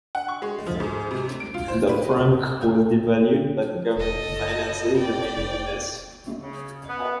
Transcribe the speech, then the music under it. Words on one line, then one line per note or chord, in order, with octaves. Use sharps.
The franc was devalued, but government finances remained in a mess.
F#5
C#6
G#3
F3
G#2
C3
D7
F4
C5
B4
E1 A4 D#5
F#1
D5 G5
F1
C#3
B3